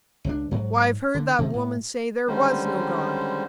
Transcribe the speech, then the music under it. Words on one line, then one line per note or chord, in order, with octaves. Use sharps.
Why, I've heard that woman say there was no God.
C#2 D4
G#2 F#3
D3
C3 D#3
A2
D3 D#3 G3 G#3 C#4 C5